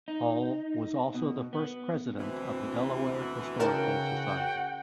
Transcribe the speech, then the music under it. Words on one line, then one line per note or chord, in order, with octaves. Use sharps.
Hall was also the first president of the Delaware Historical Society.
D#4
B2
B3
D2 B2 E3 C4
C#3 D#4 F#4 A#4 F#5 G5 A5